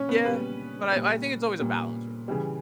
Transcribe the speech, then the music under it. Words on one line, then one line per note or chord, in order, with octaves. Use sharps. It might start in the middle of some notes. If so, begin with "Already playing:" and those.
Yeah. But I I think it's always a balance, really.
Already playing: A#2 C#4 C#5
B3 B4
A#2 G3 B3 B4
A#2 G3
A#2 G3
C#3 E3 G3